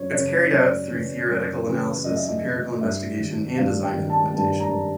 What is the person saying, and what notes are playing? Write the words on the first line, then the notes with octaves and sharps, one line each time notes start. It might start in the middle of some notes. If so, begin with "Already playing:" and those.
It is carried out through theoretical analysis, empirical investigation, and design implementation.
Already playing: F#2 C#5
C#3 E3 C#5
F#2 D5
C#3 E3
F#2
C#3 E3
F#2 D#5
E5
D#5
C#3 E3
G2 E5
D#3
G2 F5
G5
D#3
A5
G2 A5
A#5
D#3